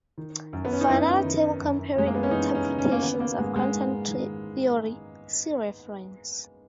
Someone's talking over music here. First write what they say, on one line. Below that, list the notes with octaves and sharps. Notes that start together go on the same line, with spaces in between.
For another table comparing interpretations of quantum theory, see reference.
D#3
F#2
B3
C#4
D#4
F#2 E4
D#3
F#2
F#2 G#3
A#3
B3
C#4
E3 D#4
C#4
C#3
C#4
A#3
D#3 B3
A#3
G#2 G#3
G#3
G#2
D#3